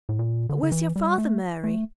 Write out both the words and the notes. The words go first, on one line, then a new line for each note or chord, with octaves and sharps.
But where's your father, Mary?'
A2
A#2
D3
D3
E3
G3
A3
A3